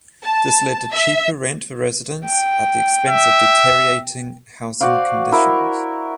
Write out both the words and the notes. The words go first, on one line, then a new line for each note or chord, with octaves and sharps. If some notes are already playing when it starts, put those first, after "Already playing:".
This led to cheaper rent for residents at the expense of deteriorating housing conditions.
A5
E5
G5
E5
F#4 C5 D5 F5
E4 A#4